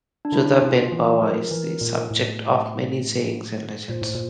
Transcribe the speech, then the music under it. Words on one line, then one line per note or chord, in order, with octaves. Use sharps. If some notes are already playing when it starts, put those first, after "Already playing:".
Judah ben Bava is the subject of many sayings and legends.
D4
D3 E4
C3 F4
E3
F3 A#4
E3
A#2
A2
A#2 C5
A2
A#2